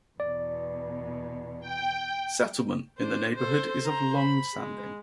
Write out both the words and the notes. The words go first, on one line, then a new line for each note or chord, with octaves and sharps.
Settlement in the neighborhood is of long standing.
E2 B2 D5
G5
D4 C5
A4 C5
C5 A#5
B5
G#3